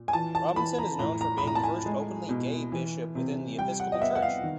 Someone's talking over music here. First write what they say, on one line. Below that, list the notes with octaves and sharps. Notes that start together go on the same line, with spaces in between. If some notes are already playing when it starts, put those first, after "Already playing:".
Robinson is known for being the first openly gay bishop within the Episcopal Church.
Already playing: A#2
G#5
E3 A5
A5
E3 B5
A#5
A2 A#5
A#5
B5
A2 A#5
A5
G#5
G#3
B2
E3
C3
G3 G5
F#5
D#5
B3 E5
F#5
F5
D#3